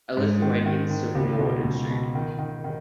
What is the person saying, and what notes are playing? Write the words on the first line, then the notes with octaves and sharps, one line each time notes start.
A Lithuanian civil war ensued.
G#2
D#3
D#3
D#3
C#2
B2
C#2
B2
D#3
D#3
D#3